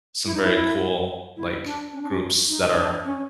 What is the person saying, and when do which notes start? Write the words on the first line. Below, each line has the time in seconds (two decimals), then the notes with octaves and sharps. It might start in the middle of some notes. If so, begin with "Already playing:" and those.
some very cool, like, groups that are
0.25 E4
0.34 D#4
0.43 E4
1.36 E4
1.65 D4
1.93 C#4
2.01 D4
2.10 C#4
2.49 D#4
2.77 D4
3.05 C#4